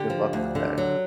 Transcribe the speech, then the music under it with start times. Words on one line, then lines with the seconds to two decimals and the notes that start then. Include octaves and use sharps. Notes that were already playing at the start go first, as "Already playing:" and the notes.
Good luck with that.
Already playing: D3 G4
0.10 F3
0.33 D2
0.55 D3
0.78 F#3